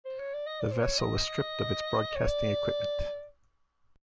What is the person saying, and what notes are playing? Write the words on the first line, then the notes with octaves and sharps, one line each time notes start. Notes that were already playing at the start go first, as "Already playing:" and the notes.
The vessel was stripped of its broadcasting equipment.
C5
C#5
D5
D#5
D5
C5
C#5
D#5
C#5
D5